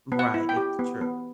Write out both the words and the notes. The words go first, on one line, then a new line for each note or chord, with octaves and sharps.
Right, it's true.
B3
F#5
E4
G5
G4
B3
B3